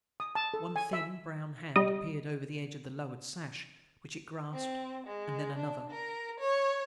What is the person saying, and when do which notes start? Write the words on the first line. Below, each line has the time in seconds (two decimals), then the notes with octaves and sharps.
One thin, brown hand appeared over the edge of the lowered sash, which it grasped--and then another.
0.20 D#6
0.35 A5
0.54 A4
0.76 G#5
0.93 E5
1.76 G3 D#5
4.52 C4
5.06 G#3
5.56 D4
5.90 A#4
6.40 C#5